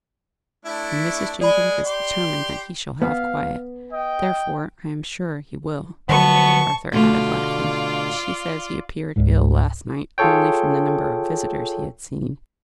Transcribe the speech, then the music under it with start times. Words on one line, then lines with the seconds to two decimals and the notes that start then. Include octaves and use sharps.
And Mrs. Jenkins is determined that he shall have quiet; therefore I am sure, he will," Arthur added, laughing. "She says he appeared ill last night only from the number of visitors he had seen.
0.65 A3 D4 E4
1.41 G#3 G#4 D5 B5
1.85 G4 C6
3.02 B3 F5
3.92 D#5 G5
6.09 D3 F3 F#3 B3 A5 C#6
6.93 B2 D3 A3 F4 D5
9.16 C#2 G#2
10.18 F4 G#4 A4 C#5 G5